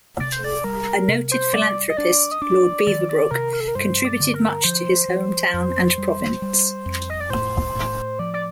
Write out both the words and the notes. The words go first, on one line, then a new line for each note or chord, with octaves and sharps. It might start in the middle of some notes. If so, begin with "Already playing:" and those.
A noted philanthropist, Lord Beaverbrook, contributed much to his home town and province.
C3 D5
C5
D5
G3 A#4
C3
C5
G3 D5
D#5
D4 D5
D#5
D4 D5
D#3 D5
D5
C3 A#4
A#4
A4
A#4
G2 C5
D5
D3
A#4
F3 C5
F3
F2
G3
G3
F2
D#5
D5
A2 C5
A2
F3 D5
D5